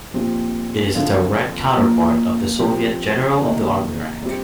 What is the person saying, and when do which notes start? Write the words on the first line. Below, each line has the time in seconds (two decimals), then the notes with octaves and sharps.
It is a direct counterpart of the Soviet "General of the army" rank.
0.14 A#2 F3 C4 G4
0.95 D3 F3 C4 F4
1.77 A#2 F3 A#3
2.58 F3 C4 G4
3.41 C3 D#3 A#3
4.22 G3 C4 G4